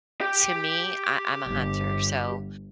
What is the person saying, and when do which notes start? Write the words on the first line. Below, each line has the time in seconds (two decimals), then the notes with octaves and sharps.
to me, I I'm a hunter, so,
0.21 G4 G5
1.46 G1